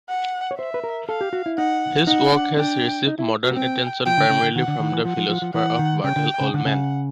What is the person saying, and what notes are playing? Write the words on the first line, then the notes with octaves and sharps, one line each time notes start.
His work has received modern attention primarily from the philosopher Bertell Ollman.
F#5
C#5
C5 E5
B4
A#4
A4 F5
G4
F#4
E4
D#4 F#5
D#4 F#5
D4
D4 G5
D#4
E4
F#4
B3
C4 G5
F3 G5
D3
C#3
D3
D#3 F#5
D3
D#3
E3
F3 F#5
F3
F3
F3
E3 F#5
D#3
C#3 G5
D3
C#3
D3 F#5
C#3